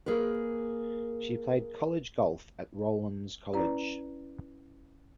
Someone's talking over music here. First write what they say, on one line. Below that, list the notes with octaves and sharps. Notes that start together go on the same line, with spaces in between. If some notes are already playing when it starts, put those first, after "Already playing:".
She played college golf at Rollins College.
A#3 G#4 A#4 B4
C#4 E4 B4 D5 A#5